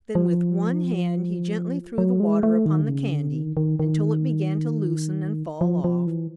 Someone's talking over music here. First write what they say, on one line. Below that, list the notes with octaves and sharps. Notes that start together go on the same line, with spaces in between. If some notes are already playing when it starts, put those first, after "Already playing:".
Then with one hand he gently threw the water upon the candy until it began to loosen and fall off.
F3
F#3
G#3
A3
D#3
D3
C#3
D3
D#3
D#3
D#3
F3
F3
E3